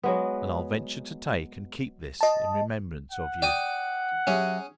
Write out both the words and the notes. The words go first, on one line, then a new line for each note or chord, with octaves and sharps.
"And I'll venture to take and keep this in remembrance of you."
F#3 G#3 B3
D#5 A5
F#5
D5 G5 D#6
F#3 C#4 G4 G#4 E5